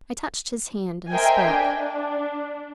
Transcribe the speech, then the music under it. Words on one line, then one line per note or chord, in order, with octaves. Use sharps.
I touched his hand, and spoke.
A#4 C5 D#5 E5 G5 G#5
D4